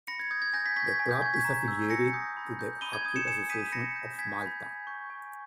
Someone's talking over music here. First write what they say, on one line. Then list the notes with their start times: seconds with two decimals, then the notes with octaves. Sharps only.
The club is affiliated to the Hockey Association of Malta.
0.07 B5 A#6 C#7
0.19 G#6
0.31 D#6 G6 G#6
0.42 G#6
0.53 G#5 G6 A#6
0.65 G#6 B6
0.76 C#6 G#6 B6
0.80 G6
0.88 G#6
0.99 G#5 G#6
1.11 G6
1.22 C#6 G#6
1.26 G6
1.34 G#6 B6
1.45 A#5
1.68 E6 G6
1.90 G#5 A#6 C#7
2.13 D#6 G6
2.37 B5
2.59 G6
2.81 B5 D#7 G7
2.93 G#6
3.04 D#6 G6 G#6
3.16 C#7 E7
3.27 G#5 C#7 E7
3.50 D#6 G6 B6 D#7
3.72 B5 A#6 C#7
3.96 G6
4.18 G#5 G#6 B6
4.42 B5 G6
4.64 G#5
4.87 C#6 G6
5.10 G#5